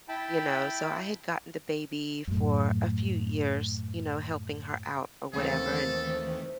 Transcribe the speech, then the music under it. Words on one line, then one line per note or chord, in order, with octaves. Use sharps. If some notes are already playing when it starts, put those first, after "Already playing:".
you know? So I had gotten the baby for a few years, you know, helping her out or whatever, and
E4 G5 A5 B5
F#2 A2
D#2 D#3 E3 A3 C4 A4 C5